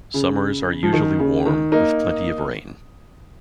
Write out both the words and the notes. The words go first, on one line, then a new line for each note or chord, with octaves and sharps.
Summers are usually warm, with plenty of rain.
C#3
F3
D#3
C#3
D#3
A#3 D#4